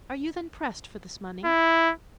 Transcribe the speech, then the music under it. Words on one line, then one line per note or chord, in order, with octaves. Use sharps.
"Are you then pressed for this money?"
E4